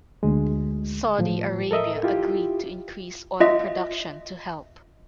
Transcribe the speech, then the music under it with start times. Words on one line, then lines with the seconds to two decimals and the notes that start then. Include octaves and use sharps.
Saudi Arabia agreed to increase oil production to help.
0.23 D2 G#3
1.19 A2 F3
1.71 A4 A#4 D#5 E5
2.03 E4 F4 G4
3.40 F4 D#5 E5